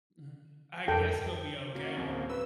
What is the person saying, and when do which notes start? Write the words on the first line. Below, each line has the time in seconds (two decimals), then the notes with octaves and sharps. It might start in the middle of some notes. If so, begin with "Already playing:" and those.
Mhm. I guess it'll be okay
0.88 F2 A4 A#4 G5
1.75 A#3 C#4 F#4
1.97 D1 C4
2.29 B4 E6